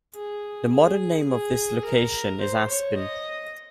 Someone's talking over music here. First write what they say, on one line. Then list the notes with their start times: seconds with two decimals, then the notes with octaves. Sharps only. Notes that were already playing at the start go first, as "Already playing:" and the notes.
The modern name of this location is Aspen.
0.15 G#4
0.72 G#4
1.28 G#4
1.85 A#4
2.41 C5
2.70 C#5
2.97 D#5